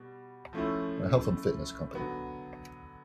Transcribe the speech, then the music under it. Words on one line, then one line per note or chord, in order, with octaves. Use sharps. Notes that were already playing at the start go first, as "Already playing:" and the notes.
A health and fitness company.
Already playing: B2 G3
F3 A3 C#4 E4
D3 F#3 B3